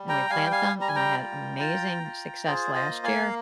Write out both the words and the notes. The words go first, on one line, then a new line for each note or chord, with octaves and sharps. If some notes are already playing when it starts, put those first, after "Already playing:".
and we plant them, and I had amazing success last year.
Already playing: G3
G5 A#5
G3 F5 G#5
G5
F5 G#5
G3
A#5
G#5
G5 A#5
F4
F4
F4
F4 G#4 C5
C5 D#5
A#3
F5 G#5